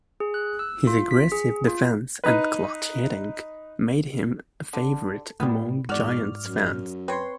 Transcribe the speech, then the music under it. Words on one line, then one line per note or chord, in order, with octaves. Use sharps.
His aggressive defense and clutch hitting made him a favorite among Giants fans.
G#4
F#6
E6
F4
B6
G#4
F4
D#4 B4
D3
A2 G3 B3
E2 G#2 F#4 D5 F6
F#2
C4 B4 C#5 C6